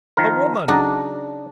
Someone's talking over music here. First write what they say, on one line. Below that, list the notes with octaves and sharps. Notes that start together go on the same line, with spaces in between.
The woman!
D#3 F3 A#4
C#3 F#3 D4 D#4 A5